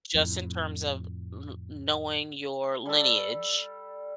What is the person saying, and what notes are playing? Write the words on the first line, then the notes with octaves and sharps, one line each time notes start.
just in terms of l knowing your lineage
F2 A2
G3 A4